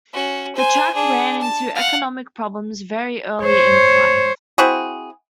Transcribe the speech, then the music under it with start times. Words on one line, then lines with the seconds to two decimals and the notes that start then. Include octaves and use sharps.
The track ran into economic problems very early in its life.
0.13 C#4 F#4
0.55 C5 G#5
0.94 D4 G#4
1.41 A5
1.75 F5 F#5
3.44 C5 C#5
4.58 C4 E4 F#4 G#4